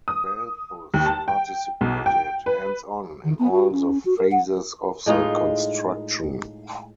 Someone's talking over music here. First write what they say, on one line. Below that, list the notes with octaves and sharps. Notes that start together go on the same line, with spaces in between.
Balthus participated "hands on" in all the phases of the construction.
D#6
D#2
A5
G5
B1
G5
B4
D#3
B3
F#4
C#4
F#4
A#4
F#5
A2 G#3 D#4 F4